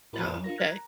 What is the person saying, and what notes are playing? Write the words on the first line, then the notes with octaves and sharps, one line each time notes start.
Oh, okay.
A2 E4 F#4 A#4 B5
F2
D4 F4 A#4 A#6
A#4 F6 F#6 G#6 A#6
A#5